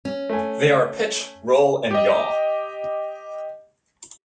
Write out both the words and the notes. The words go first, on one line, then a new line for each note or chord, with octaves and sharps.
They are pitch, roll and yaw.
C#4
A3 G#5
G4 D#5